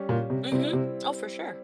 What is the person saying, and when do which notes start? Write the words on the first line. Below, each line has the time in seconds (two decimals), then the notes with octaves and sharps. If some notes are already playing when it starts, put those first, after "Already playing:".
Mhm. Oh, for sure.
Already playing: G3 C#4 G4
0.09 A#2
0.30 C3
0.52 C3 G3 C4 E4
0.73 C3